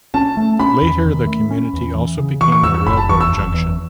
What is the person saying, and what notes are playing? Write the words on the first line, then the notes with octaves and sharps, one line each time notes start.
Later, the community also became a railroad junction.
C#4 A5
A3
C#4 B5
E2
D#3
A3
C#4
E2
E3
C#3
E3 C#6
C#6
E2 E6
E6
F#1 B5
A5
E2 C#6
E6
F#1
E2